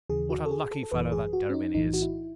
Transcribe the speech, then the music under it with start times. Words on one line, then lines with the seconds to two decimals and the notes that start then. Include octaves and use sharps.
What a lucky fellow that Derebin is!
0.09 D#2 C#3 E3 G#4
0.30 F#4
0.46 A4
0.51 G#4
0.71 A4
0.83 A4
0.91 G#1 F#2 E3 B4
1.12 G#4
1.33 F#4
1.50 C#4
1.54 D#4
1.74 B1 A2 E3 D#4
1.93 F#4
2.02 E4